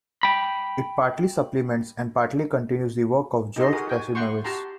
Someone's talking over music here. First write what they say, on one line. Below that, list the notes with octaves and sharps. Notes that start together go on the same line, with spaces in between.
It partly supplements and partly continues the work of George Pachymeres.
G5 B5
D#4 G4 A4 D#5 C6
F#4 G#4 A#4 D#6
F#4 G5 G#5
E4 F#5 G5 C6 C#6
F#4 G4 A5 A#5 C6